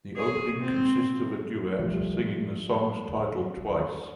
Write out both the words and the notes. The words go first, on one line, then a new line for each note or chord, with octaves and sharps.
The opening consists of a duet singing the song's title twice.
G#4
C4
F3 G3 A3